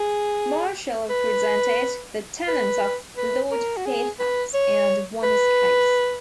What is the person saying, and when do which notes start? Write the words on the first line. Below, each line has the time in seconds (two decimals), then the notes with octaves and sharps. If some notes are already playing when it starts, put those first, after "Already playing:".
Marshall represented the tenants of Lord Fairfax, and won his case.
Already playing: G#4
1.10 B4
2.48 B4
3.17 B4
3.51 A#4
3.77 F#4
3.85 G#4
4.20 B4
4.54 C#5
5.23 B4